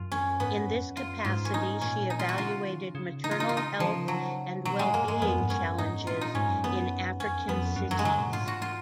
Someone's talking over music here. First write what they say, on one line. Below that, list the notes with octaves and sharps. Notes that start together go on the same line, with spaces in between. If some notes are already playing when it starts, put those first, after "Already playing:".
In this capacity she evaluated maternal health and well being challenges in African cities.
Already playing: F#2 F4
C#4
G#2 B3
F2
F#2
F4
G#2 F4
C#4
D#4
A#2 C#4
D#4
F4
F#4
C#3 F4
D#3
C#3
C#3
D#4
F4
D#4
F4
D#4
C#3 F3
F#3
B2 F#3
A#2 G#3
F#2 A#3
G#2 G#3
F2 B3
G#2
F#2 C#4
G#2 D#4
A#2 F4
D#4
G#2 C#4
F#2
B3
F2 C#4
F2 B3
F#2
F#3
G#3
C#3 F#3
A#2
G#2 F4
F#4
F4